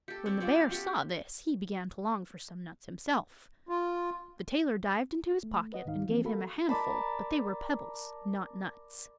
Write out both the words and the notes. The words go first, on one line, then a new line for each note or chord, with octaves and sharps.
When the bear saw this he began to long for some nuts himself. The tailor dived into his pocket and gave him a handful, but they were pebbles, not nuts.
G4 A4
C4 D4 C#5
F3 F#4 C5 D5
F5
F#4 G4 A4
F4
A3
B4 D#5 F#5
C#2 G#2 D#3 D#4 F5
E3 F3 A#3 C4
F#4 A4 A#4 F5 B5
A#4 D5 A5 B5